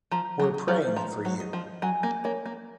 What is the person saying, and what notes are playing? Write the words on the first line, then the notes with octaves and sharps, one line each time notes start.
We're praying for you.
F3 A#5
F#3
D#5
F#3
F3 A#5
F#3
D#5
F3
F#3 G#5
A#3
A#3 C#5
A#3